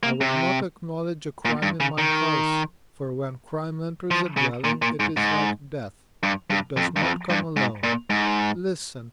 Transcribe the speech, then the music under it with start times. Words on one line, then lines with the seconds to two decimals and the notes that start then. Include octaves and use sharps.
I will not acknowledge a crime in my house; for when crime enters a dwelling, it is like death--it does not come alone.' Listen.
0.03 A#3
0.21 C3
1.45 A#2
1.62 G2
1.80 C#3
1.98 D#3
4.11 F3
4.37 C#3
4.64 A#2
4.82 A#2
5.00 G#2
5.17 G#2
6.23 G2
6.50 G2
6.77 F2
6.96 G2
7.03 F2
7.30 G2
7.56 G#2
7.83 A#2
8.10 G#2